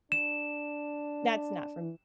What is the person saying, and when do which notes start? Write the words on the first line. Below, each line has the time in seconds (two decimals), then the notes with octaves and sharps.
that's not for
0.12 D4 E7